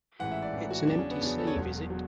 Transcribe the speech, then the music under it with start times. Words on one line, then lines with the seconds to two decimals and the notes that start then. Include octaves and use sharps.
It's an empty sleeve, is it?
0.19 A1 G#2 E3 F#5
0.31 E5
0.42 D5
0.53 A1 G#2 E3
0.71 F#4
0.87 E2 C#3 F#3 D4
0.99 C#4
1.11 B3
1.21 E2 C#3 F#3 D4
1.38 A4
1.47 C#5
1.55 E1 E2 B2 F#3
1.90 B2 F#3